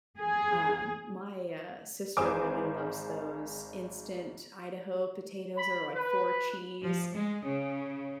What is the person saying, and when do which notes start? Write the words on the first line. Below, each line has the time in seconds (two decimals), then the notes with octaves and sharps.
Um, my, uh, sister really loves those instant Idaho potatoes, or like four cheese.
0.18 G#4
2.17 G#1 G#2 G#4 C5 G#5 D6
5.57 B5
5.94 B4
6.83 F3
7.15 G#3
7.45 C#3